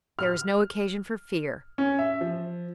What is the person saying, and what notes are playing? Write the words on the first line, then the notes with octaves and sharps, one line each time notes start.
There is no occasion for fear.
F6
C#4
E5
F3